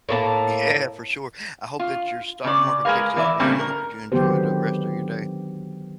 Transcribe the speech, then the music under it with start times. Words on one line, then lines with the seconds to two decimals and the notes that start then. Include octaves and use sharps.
Yeah, for sure, I hope that your stock market picks up, man, I hope that you enjoy the rest of your day.
0.09 A2 A#3 A5
1.79 F4
2.44 C#3 D5
2.85 G#3 G#4 A#4 B4 F5
3.16 E3 D5 E5
3.39 C#3 G3 A3 A#3 C4 D4
3.59 A#4
4.12 D3 D#3 F#3 B3 G4 C5